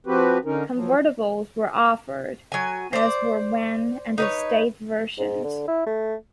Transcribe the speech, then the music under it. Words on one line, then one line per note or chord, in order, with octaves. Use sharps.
Convertibles were offered, as were van and estate versions.
F3 C4 F#4 G4 B4
D3 C#4 D#4 A#4
F3 F#3
F#3 G#5
C5 D5
D#4 B4 C#5
G#2
D3
E4
A3